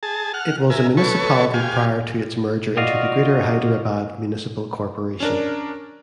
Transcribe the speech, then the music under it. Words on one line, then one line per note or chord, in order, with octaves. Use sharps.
It was a municipality prior to its merger into the Greater Hyderabad Municipal Corporation.
G#4 A5
F#5 F6
A#4 E5 G#5
A4 B4 C#5 C#6
G4 F5 G#5
F4 F#4 D5 D#5 F5
C#4 D4 A#4